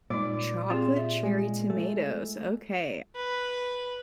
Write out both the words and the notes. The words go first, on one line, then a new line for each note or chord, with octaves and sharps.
Chocolate cherry tomatoes, okay.
A#2 G3 G#3 D#4 D5
C4 F4 G4 G#4
E5
G#3
A3
B4